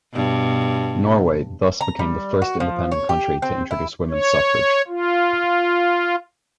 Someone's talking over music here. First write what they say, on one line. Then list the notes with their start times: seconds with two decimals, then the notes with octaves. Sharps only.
Norway thus became the first independent country to introduce women's suffrage.
0.12 G2 B2
1.81 A#5
1.99 G3
2.42 F#4
2.60 F3
2.92 C#5
3.09 G4
3.42 C4
3.71 E4
4.10 C#5
4.87 F4